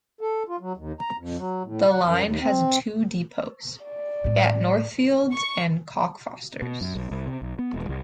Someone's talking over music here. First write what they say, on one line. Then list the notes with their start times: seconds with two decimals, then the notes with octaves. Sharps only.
The line has two depots, at Northfields and Cockfosters.
0.21 A4
0.49 F4
0.60 F#3
0.77 D#2
1.00 A#5
1.18 F2
1.37 F#3
1.64 A2
1.91 F#5
2.04 F#2
2.22 D#2
2.41 C4
3.84 D5
4.24 A2 G#3
5.32 C#6
6.62 B2
6.81 F#2
6.95 B1
7.11 C2
7.27 C3
7.42 B1
7.59 B3
7.74 E1
7.89 C2